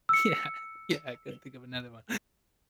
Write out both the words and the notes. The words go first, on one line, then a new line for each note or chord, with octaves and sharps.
yeah, yeah, I couldn't think of another one,
E6 C#7